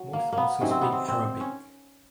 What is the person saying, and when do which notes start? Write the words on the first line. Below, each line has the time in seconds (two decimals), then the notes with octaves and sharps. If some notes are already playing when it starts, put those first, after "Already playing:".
Most also speak Arabic.
Already playing: F#3
0.13 A#3
0.32 A#3
0.37 B3
0.60 C3 D#3 F#3 C#4
0.71 C4
0.81 B3
0.92 C4
1.08 C4
1.40 C#4